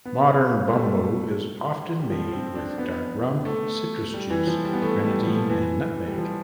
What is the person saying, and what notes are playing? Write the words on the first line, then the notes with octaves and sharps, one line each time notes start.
Modern bumbo is often made with dark rum, citrus juice, Grenadine, and nutmeg.
B3
A3
G3
G3
F3
C4
D4
B3
A3
G3
E3
F3
G3
B3
A3
G3
F3
E3
G3
F3